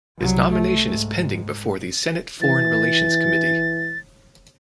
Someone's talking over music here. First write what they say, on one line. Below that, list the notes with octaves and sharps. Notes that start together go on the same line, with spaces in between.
His nomination is pending before the Senate Foreign Relations Committee.
C2 F#3
A3
G#2
E3 A6